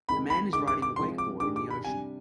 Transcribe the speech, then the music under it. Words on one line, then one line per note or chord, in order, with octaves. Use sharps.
A man is riding a wakeboard in the ocean.
F2 D#3 G#3 B5
B5
G2 D#3 G#3 D6
D6
D6
C2 C3 F3 G#3 C6
D6
G2 D#3 G3 D4 G#4 D6
D6
B5
C3 G3 D4 G#5